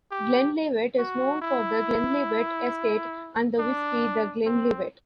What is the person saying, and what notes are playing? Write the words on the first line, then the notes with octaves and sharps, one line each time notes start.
Glenlivet is known for the Glenlivet Estate and the whisky The Glenlivet.
G4
F#4
E4
D4
C4